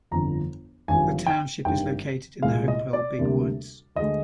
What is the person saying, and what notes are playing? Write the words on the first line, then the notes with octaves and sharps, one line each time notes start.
The township is located in the Hopewell Big Woods.
G1 F2 D3 A#5
G#1 G2 D3 F3 G#5
G5
G#1 G2 D#3 G5
C2 A#2 G#3 F5
D#5
D5
D2 C3 G3 A#3
D2 D3 G#3 D#5